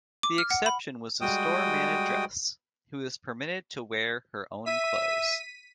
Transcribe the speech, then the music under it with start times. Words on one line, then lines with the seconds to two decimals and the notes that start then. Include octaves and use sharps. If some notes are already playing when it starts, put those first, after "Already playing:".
The exception was the store manageress, who was permitted to wear her own clothes.
0.23 D6
0.38 F6
0.51 F#5
0.66 B5
1.21 G3 G#3 F#4 G5 D#6
4.66 E5 B6 D#7